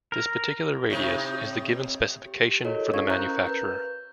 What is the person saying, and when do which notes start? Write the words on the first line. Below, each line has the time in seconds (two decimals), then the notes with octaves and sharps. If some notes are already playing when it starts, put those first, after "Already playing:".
This particular radius is the given specification from the manufacturer.
0.12 A#4
0.90 A2 C3 D#4
2.26 G4
2.64 E4 F#4 A4 A#4 C#5 D#5
2.93 C#4 F5 C#6 G#6
3.10 A#4 C5 A#5 C#6 F#6 G6
3.47 B4 G6